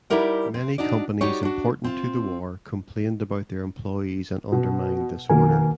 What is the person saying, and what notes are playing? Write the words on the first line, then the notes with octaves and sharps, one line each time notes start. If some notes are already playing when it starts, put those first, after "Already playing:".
Many companies important to the war complained about their employees and undermined this order.
G3 D#4 E4 G4 A#4 F#5
C4
D4 D#4 F#4 D5
G3 D#4 F#4 G4 C#5
D4 F#4
C4 F4
B2
B2 D#3 A#3 A#4 G#5